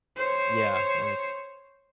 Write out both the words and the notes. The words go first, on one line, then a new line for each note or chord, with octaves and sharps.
Yeah, that makes
C5 C#5